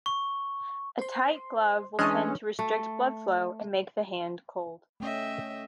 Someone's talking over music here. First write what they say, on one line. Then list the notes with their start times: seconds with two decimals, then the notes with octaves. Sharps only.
A tight glove will tend to restrict blood flow and make the hand cold.
0.06 C#6
0.99 C5 C6
1.99 E3 G#3 C#4 D4 D#5 A5 D#6
2.59 A3
5.00 A3 C#4 D#5 E5 G5